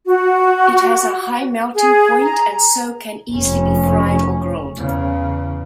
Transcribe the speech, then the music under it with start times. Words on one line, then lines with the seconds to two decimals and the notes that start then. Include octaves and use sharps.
It has a high melting point and so can easily be fried or grilled.
0.06 F#4
1.75 G#4
2.21 A#5
3.31 F1 C#4
4.77 E2 C#3